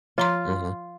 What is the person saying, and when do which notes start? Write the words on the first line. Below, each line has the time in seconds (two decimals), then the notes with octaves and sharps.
Uh huh.
0.18 F3 F4 A#5 C6